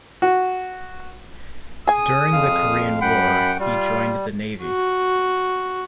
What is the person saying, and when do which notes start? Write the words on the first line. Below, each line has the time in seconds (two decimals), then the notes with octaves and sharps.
During the Korean War he joined the Navy.
0.22 F#4
1.87 G#4 G#5 D#6
2.33 F2 F5
3.01 F#2 F#5 G5 B5
3.59 G3 F4
4.64 F#4